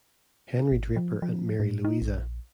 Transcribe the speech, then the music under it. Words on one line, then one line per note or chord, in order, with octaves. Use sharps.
Henry Draper and Mary Louisa.
G#1
F3
F3
A2
D#4
A#1